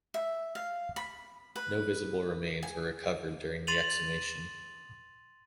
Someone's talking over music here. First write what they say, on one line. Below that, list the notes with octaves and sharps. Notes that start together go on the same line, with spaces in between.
No visible remains were recovered during the exhumation.
E5
F5
B5
B4
G#5
C6 A6 D#7 F7 F#7